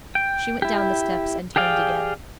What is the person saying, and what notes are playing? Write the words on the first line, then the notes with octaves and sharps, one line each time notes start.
She went down the steps and turned again.
G5
E4 G4
G4 G#4 D5 F5 G5